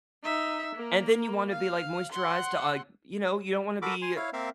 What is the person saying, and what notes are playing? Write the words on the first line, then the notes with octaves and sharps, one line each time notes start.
And then you wanna be, like, moisturized to like you know, you don't wanna be, uh,
D#4 E5
A#3 A#4
F5
F#5 C6
F#4 A4 A#4 B5 D6
G#5 C6
E4 C#5 F5
A#3 C4 A#4 E5 F5